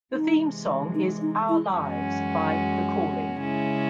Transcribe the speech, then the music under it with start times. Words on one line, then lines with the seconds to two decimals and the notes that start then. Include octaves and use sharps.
The theme song is "Our Lives" by The Calling.
0.13 C3 E3 G#3 D#4
0.95 D#4
1.21 D#4
1.49 E4
1.76 F#2 E3 G#3 C#4 F#4
3.38 C#3 G#3 C#4 E4